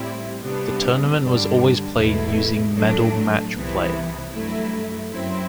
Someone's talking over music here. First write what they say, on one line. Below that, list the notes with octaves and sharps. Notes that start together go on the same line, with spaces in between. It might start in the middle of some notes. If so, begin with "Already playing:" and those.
The tournament was always played using medal match play.
Already playing: A2 G3 C4 E4
C3 G3 B3 D4
G2 D3 G3 D4
E2 B2 A3 E4
A2 F#3 A3 D4
C2 C3 E3 B3 E4
G2 F#3 A3 E4
F#2 F#3 C4 E4